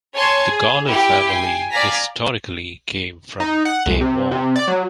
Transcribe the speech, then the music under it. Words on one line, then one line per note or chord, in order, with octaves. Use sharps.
The Gawler family historically came from Devon.
C#5 G#5 A5 C6 G#6
G#4
E4 G4 G5
G5 G#5 C7
D5 F5 G#5 A#5 B6
D#4
F#5
C2
C3
C3
D5
F#3